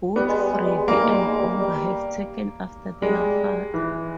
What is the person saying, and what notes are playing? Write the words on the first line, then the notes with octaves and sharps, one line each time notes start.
Both Freddie and Bomber have taken after their father.
G3 B3
G#3
G3
G#3
G3
G#3
G3 A#3
G#3
G3
G#3
G3
G3
G3 G#3
E3